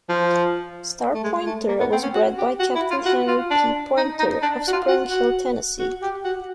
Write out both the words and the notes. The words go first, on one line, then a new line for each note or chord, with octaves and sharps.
Star Pointer was bred by Captain Henry P. Pointer of Spring Hill, Tennessee.
F3
A3
G#3
A3
A#3
B3
C4
C#4
F#4
G4
F#4
E4
F4
F#4
F4
D4
D#4
D#4
D4
F#4
F4
F#4
F#4
F#4
G4
F#4